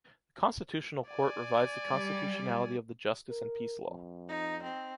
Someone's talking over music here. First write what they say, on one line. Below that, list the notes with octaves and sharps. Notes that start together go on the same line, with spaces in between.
The Constitutional Court revised the constitutionality of the Justice and Peace Law.
D5 G#5
G3
A#4
F2
D#4
C4